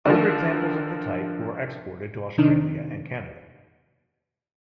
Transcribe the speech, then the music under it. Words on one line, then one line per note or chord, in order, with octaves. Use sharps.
Other examples of the type were exported to Australia and Canada.
D3 D#3 F3
C3 D#3 D4 D#4